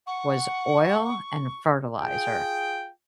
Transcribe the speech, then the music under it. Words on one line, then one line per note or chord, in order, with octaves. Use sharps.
was oil and fertilizer.
F#5 C#6
F4 G#4 G5